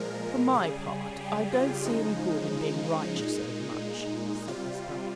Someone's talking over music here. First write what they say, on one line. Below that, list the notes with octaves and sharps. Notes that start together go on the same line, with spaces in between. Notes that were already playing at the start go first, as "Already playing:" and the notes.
"For my part, I don't see any good in being righteous overmuch," said Hesper.
Already playing: A#2 F3 G#3 A#4
C#3 G3 G#4
G4
F4
C#3 F3 G#3 D#4
A#2 G#3 D#4
C3 G3 F4